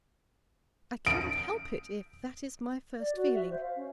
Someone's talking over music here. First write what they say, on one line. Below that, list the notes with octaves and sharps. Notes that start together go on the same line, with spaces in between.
I cannot help it, if that is my first feeling.
D7
D5
F#4
E5
C5
F5
C#4